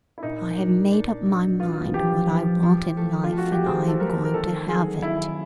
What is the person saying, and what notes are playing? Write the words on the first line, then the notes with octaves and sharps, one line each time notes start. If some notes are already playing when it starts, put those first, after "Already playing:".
I have made up my mind what I want in life and I am going to have it.
E4
A#2 D#4
D4
D4
F#3
B3 F4
F3 G4
F3
F3
A3
F4
A3
F#4
G4
C4 G#4
A4
A3 A#4
A#4
D#3 A4
F#3 G#4
D#3 E4